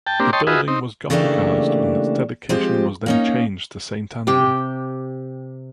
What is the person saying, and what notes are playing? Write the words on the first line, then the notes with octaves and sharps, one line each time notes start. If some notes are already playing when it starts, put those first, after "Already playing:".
The building was Gothicised and its dedication was then changed to Saint Andrew.
G5 A5
A#3 C4 D4 G4
C#5 D#5 G5 A5 C6
F4 F#4 G#4 B4 D#5 E5
C4 D#4
C#3 E3 A3 A#3 D4 G4
F3 G#3 C4 F4 G4
A#3 C#4 D#4
C3 G4 G5